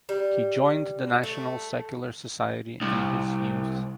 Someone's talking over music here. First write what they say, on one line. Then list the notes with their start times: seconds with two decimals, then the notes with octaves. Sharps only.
He joined the National Secular Society in his youth.
0.09 G3
1.23 A3
2.81 C2